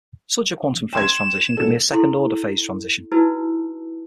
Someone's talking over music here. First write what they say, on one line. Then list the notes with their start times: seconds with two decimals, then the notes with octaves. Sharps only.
Such a quantum phase transition can be a second-order phase transition.
0.93 G5 C6 G#6 E7
1.57 E1 A4
1.92 E4 A4 C6
3.12 D#4 E4 F#4 B4 A5 E6